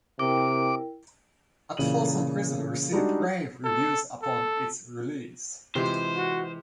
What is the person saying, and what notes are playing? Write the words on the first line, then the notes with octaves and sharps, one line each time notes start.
"At Folsom Prison" received rave reviews upon its release.
C3 E4 A#4 G5 D6
A#2 C#3 E3 D#7 F#7
G3 G#3 D4 D#4 F#4 G#4
A4
A4
C3 E3 G#3 F4 C5
F#4